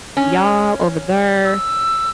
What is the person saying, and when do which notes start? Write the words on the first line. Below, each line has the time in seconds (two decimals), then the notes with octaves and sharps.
"Y'all, over there."
0.17 C#4
1.45 E6